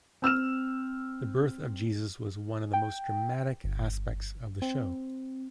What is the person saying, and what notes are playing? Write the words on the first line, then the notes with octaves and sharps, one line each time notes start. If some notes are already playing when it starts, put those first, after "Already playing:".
The birth of Jesus was one of the most dramatic aspects of the show.
C4 E6 F6 E7
G5
G1
C4